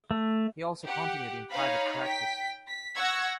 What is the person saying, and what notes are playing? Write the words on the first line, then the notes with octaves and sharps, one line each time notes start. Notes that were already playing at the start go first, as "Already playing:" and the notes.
He also continued in private practice.
A3
G4 F#5
D#4 C#5 F5 B5
G5 B6
B6
F#5 C#6 E6 G#6 A#6